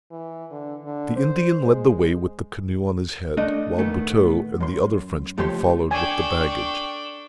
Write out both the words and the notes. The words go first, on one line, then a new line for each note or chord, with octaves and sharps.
The Indian led the way with the canoe on his head, while Buteux and the other Frenchman followed with the baggage.
E3
D3
D3
C5
G#3
A3 D4 D#5
A#2 D#3 A3 B3
F#2 C6
C#2 F3 A3 G4 C#5 C6
D4 A4 G5 G#5 C#6